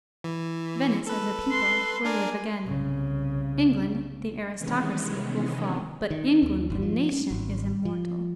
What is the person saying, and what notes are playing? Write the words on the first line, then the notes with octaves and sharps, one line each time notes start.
Venice, as a people, will live again; England, the aristocracy, will fall, but England, the nation, is immortal.
E3
A4 B4
C6
D4 A#4 D5 G#5
C2 C#3
C3 D#3 E3 G#3 B3 C#4
D#3
D#2
G1
F3
C#4
G#1
F3